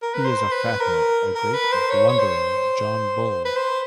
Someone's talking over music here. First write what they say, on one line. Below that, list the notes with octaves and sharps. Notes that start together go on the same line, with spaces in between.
He is a fathead—a great blundering John Bull.
A#4
B4
C5
B4
A#4
A#4
B4
C5
C#5
C#5
C5
B4
C5